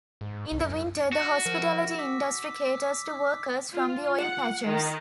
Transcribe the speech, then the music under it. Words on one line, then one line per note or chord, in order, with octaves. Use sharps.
In the winter, the hospitality industry caters to workers from the oil patches.
G#2
C2
F#2
F#4
F3 A#4
D6 E6 B6
F4
F#5
D#3